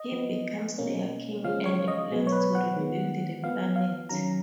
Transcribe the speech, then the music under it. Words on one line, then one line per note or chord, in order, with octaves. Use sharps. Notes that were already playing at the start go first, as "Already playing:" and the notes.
He becomes their king and plans to rebuild the planet.
Already playing: D#5
F3 B3
B2 A#3 C#4
C#3 F3 G#3 C#4 F5
C#5
D#5
B2 F#3 B3
C#5
B4
F#5
D#3 G#3 B3
F3 B3 F5
F5
D#3 F#3 C#4 A#5